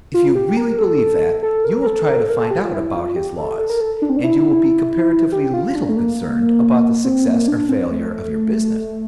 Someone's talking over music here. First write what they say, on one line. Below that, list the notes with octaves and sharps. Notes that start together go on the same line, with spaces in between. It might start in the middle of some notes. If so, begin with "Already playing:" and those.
If you really believe that, you will try to find out about his laws, and you will be comparatively little concerned about the success or failure of your business.
F4
G4
A#4
A4
A4
A#4
A#4
A4
A#4
A4
A#4
A4
G4
F4
E4
F4
G4
A4
A4
A#4
A4
D4
C4
D4
E4
G4
F4
D4
A3
A#3
C4
A#3
D4
C4
A3